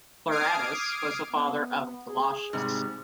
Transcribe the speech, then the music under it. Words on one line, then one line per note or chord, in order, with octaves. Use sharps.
Pleuratus was the father of Glaucias.
D6 D#6 F6 G#6 C7 D7
B3
G#4
G#2 C3 G3